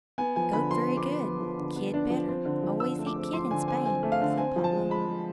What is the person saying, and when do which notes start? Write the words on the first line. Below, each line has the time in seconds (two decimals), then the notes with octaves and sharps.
"Goat very good, kid better; always eat kid in Spain," said Pablo.
0.18 B3 G#5
0.36 F3 G#5
0.53 D3 B5
0.71 F3 C6
0.88 B3
0.97 D6
1.05 B3
1.23 B3
1.40 F3
1.58 D3
1.76 B3
1.94 D4
2.10 F3
2.28 C4
2.45 D3
2.63 F3
2.80 D3 E6
2.99 A3
3.06 D6
3.16 C4
3.33 F3 C6
3.51 D3 G#5
3.68 C4 G#5
3.85 C4 G#5
4.03 A3
4.12 F5
4.21 D3
4.37 C4 G#5
4.56 F3
4.64 A5
4.73 G#3
4.90 G#3 B5
5.08 G#3